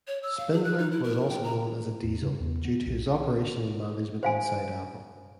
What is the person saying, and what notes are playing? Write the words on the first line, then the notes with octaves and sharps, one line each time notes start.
Spindler was known as "diesel" due to his operational management inside Apple.
C#5
E6
F5
G#4
F#6
D#4
E4
A#4
G5
A#5
E2
C#3
E2
B3
B1
C5 F5 G#5